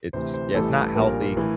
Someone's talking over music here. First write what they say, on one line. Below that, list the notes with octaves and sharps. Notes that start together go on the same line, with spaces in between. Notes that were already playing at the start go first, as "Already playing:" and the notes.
It's Yeah, it's not healthy.
D2 C3 E3 C5
C5
A1 A2 E3 G3 A4
A#1 A#2 G3 A#4
A2 E3